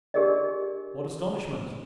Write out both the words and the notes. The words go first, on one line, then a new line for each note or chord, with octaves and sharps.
What astonishment!
D4 G4 G#4 A#4 D5 D#5